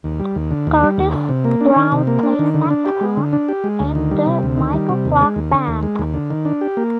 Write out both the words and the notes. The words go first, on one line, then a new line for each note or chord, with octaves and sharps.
Curtis Brown plays saxophone in the Michael Clark Band.
D#2
G3
D#2
D3
D#2
G3
D#2
D3
C3
A#3
D4
D#3
C3
A#3
D4
D#3
D3
D4
G4
G#3
D3
D4
G4
G#3
D2
D#3
G3
C3
D2
D#3
G3
C3
D#2
G#3
D#2
D3
D#2
G#3
D#2
D3
D#3
D4
G4
A#3